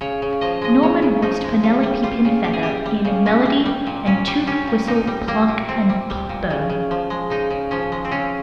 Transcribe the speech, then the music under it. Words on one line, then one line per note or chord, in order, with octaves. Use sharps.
Norman voiced Penelope Pinfeather in "Melody" and "Toot, Whistle, Plunk and Boom".
C#3 C#5
C#3
F3 D#5
G#3 D#5
C#3 C#5
C#3
F3 D#4
G#3
C#3 F4
G3
G3 F4
C#3
C#3 G4
G#4
G3 G4
G3
C#3
A#2 C#4
G3
G3
A#2
A#2 C#4
G3
G3 C#4
A#2
A#2 D#4
G3
G3 A#3
A#2
A#2 C4
G3
G3
A#2
C#3
C#3
F3
G#3
C#3 D#4
C#3
F3 C#4
G#3
C4
C#3 C#4